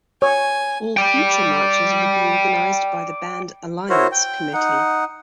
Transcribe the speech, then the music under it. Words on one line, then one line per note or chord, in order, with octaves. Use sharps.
All future marches would be organised by the Band Alliance committee.
C#5 G#5
D5 G5
E4 F#4 A#4 C5 C#5
G5
D#4 F#5